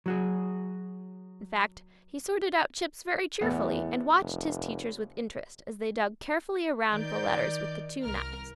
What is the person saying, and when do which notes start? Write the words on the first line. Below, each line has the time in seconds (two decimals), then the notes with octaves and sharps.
In fact, he sorted out chips very cheerfully and watched his teachers with interest as they dug carefully around the letters with the two knives.
0.06 F#3 F#4 G#4
3.41 E2 A2 B3
4.20 F1
6.88 D#3 D#4 D5 G6
8.03 C2 A#4 F6